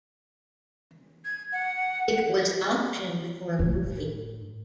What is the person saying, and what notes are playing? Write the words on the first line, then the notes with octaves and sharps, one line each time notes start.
It was optioned for a movie.
G#6
F#5
A2